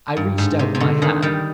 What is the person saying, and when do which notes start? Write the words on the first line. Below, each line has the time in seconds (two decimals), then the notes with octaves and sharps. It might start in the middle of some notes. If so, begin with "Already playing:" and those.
I reached out my hand.
0.17 G2
0.38 G#2
0.59 C3
0.75 C3
0.80 D3
1.02 D#3
1.22 D#3 G3